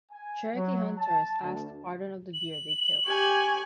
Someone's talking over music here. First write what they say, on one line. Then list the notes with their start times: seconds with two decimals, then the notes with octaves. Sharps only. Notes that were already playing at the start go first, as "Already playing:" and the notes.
Cherokee hunters ask pardon of the deer they kill.
0.12 G#5
0.56 F#3
0.98 A5
1.42 D2
2.34 F#7
3.05 G4 G#5 C#6